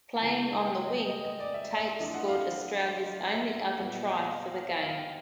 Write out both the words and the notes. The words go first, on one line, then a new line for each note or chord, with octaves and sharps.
Playing on the wing, Tate scored Australia's only other try for the game.
A5
C#3 E3 G#3 G#5
G5
D#5
D#5
D#5
D5
E5
E5
E3 A3 D4 F4 D#5
F#5
F5
E5
A#2 G3 B3 F#5
F5
F5
E5
F5
G5